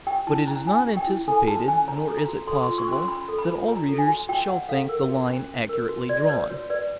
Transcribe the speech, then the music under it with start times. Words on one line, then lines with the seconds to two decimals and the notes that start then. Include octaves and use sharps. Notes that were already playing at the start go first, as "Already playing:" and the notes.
But it is not anticipated, nor is it possible, that all readers shall think the line accurately drawn.
0.07 G4 G5
0.27 E4 A5
0.47 C#4 A#5
0.67 C#4 G#5
0.88 G4
0.97 G5
1.07 E4
1.28 A4 G#5
1.47 F#4 A5
1.68 C#4 G#5
1.88 C#5 A#5
2.08 A4
2.18 A#5
2.28 F#4
2.47 A4 C6
2.63 C6
2.68 F4
2.78 C#6
2.88 C#4 C6
3.08 C#4 B5
3.29 A4
3.39 B5
3.48 F4
3.68 C#5 A#5
3.89 A4
3.98 G#5
4.08 F#4
4.29 F#4 G5
4.49 C#5 F#5
4.69 A4 F5
4.89 A#4
5.09 F#4
5.29 C#4
5.49 C#4
5.69 A#4
5.89 F#4
6.09 F#4 D5
6.25 D5
6.29 B4 C#5
6.50 F#4 C#5
6.70 B4 D5